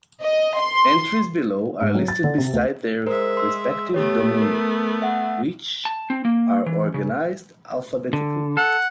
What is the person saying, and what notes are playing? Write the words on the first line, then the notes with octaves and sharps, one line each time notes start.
Entries below are listed beside their respective dominions, which are organised alphabetically.
D#5
C6
G#2
F#3
A6
D3
C3
D2
G#3 A#4 C5 E5
C6 E6
A3 B3 G4 C#5
A#4
E5 F#5
A5
C4
A#3
E3
C#3
D3
A4 F#5